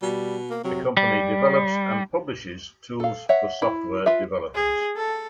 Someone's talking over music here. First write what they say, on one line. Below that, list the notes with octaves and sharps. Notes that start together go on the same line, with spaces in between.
The company develops and publishes tools for software developers.
B2 G3
A#3
C3 F#3
G3
A4 F5
C#5 E5 F#5
E4
F4 B4 E5
G#4
A4